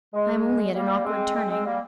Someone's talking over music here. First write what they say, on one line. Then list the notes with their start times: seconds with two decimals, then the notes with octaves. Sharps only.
I am only at an awkward turning.
0.14 G#3
0.74 G3 A#3
1.05 G#3 C4
1.34 G#3 C4
1.50 G#3 C4
1.64 G3 A#3